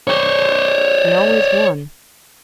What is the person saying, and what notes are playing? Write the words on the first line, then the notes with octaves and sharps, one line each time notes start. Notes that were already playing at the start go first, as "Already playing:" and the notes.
"He always won."
C5 C#5